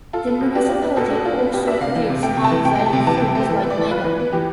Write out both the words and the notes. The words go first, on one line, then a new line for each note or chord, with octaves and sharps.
The municipality also produces high value fruits like mango.
F4 A4
B3
B2
D4 G4
F4
B3
B2 A4
D4
F4
B3
B2 G4
D4 E5
C3 F5
E3
C3
A3 G5
C3
A5
E3
C3 G5
G5
A3
A5
C3 G5
E3 A5
G5
C3
G5
A3 C5
E3
B3
D5
E3
F4 B4
E3
B3
E3 G4